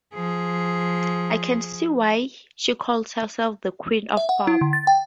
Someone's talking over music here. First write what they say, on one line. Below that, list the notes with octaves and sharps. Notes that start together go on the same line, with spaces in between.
I can see why she calls herself the Queen of Pop.
F3 G#4
E5
F#5
E4
D3
A6
G5